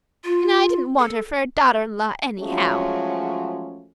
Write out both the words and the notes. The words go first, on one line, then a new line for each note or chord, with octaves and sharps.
And I didn't want her for a daughter-in-law anyhow.
F4
A4
F3 F#3 G#3 A3 C#4 F#4